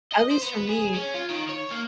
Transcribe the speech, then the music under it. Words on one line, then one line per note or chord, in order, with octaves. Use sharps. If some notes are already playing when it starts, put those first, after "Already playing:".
at least for me,
D#5
C5
B3
B4
G#4
C#4
F4
D#3
C#5
A#3